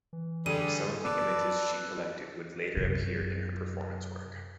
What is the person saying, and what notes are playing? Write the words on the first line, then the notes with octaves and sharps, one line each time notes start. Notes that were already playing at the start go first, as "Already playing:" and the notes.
Some of the images she collected would later appear in her performance work.
E3
D3 G3 G#4 D#7
B4 D5 A5 D6 E6
F#2 C3